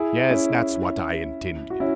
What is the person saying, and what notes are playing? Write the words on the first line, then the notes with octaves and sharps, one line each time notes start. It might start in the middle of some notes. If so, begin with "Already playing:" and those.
Yes, that's what I intended.
Already playing: E4 G#4
C#4 E4
F#4
C#4 E4